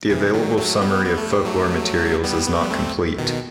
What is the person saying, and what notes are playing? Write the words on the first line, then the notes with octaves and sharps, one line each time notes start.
The available summary of folklore materials is not complete.
C3 E3
D#3 F#3
F#3 A3
G3 B3
B3
A3
G3
F#3 A3
G3 B3
B3
C4
G3 B3
A3 C4
B2 D#3